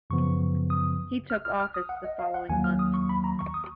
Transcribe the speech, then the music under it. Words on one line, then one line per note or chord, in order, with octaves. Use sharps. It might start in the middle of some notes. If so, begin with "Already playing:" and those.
He took office the following month.
F#2 C#3 F3 B3 C#6
D#6
F6
F6
F6
D#6
F#5
D#5
F5
F#5
D#2 D#3 F#3 A#3 G#5
F6
D#6
C#6
B5
A#5
C#6
D#6